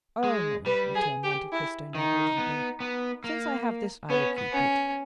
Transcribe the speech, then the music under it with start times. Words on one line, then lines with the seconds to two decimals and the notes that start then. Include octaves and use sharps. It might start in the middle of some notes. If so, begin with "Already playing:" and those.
"Oh, no," returned Monte Cristo negligently; "since I have this, I will keep it."
0.24 G#3
0.66 G3 B4
0.95 G#4
1.24 G4
1.52 E4
1.95 D#3 D#4
2.38 B3
2.80 B3
3.24 A#3
4.10 B3 C#4
4.38 B3
4.52 C#4